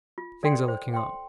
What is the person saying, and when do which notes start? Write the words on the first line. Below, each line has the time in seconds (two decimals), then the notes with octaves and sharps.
Things are looking up.
0.18 F4
0.43 A4 D5 G5 C6
0.68 C5
0.94 G5 C6